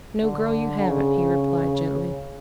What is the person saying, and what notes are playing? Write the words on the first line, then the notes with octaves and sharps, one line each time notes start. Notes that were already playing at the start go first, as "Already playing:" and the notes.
"No, girl, you haven't," he replied gently.
D3
C#3